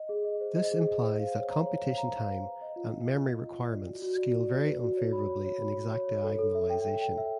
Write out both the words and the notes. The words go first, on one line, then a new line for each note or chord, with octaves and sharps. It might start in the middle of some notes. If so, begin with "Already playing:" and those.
This implies that computation time and memory requirements scale very unfavorably in exact diagonalization.
Already playing: D#5
G#4
D#5
C5
D#5
G#4
D#5
C5
F5
C#5
A#5
C#5
F5
A#5
F5
F5
B4
D#5
F4
F4
F4
F4
D#5
D#5
D5
F#4
F#4
D5
D5
D5
B4
F#4
C#5
B5
C#5
C#5
B5
C#5
C#5
C#5
A4
A4
E5
G5
E5
G5
E5